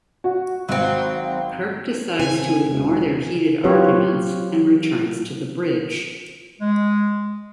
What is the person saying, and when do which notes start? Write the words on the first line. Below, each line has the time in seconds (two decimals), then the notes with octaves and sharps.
Kirk decides to ignore their heated arguments and returns to the bridge.
0.24 F#4
0.69 G#1 F#3 C4 F5
2.20 C#3 C4 G#5
2.70 E1
3.64 F#3 C4 F4 G4 B4 C#5
6.60 G#3